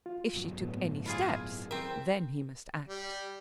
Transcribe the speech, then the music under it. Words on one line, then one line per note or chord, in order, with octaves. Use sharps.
If she took any steps, then he must act.
F4
G1 B2 F#3
A2 B3
E4 F4 G#4
C4 A#4 E5
G3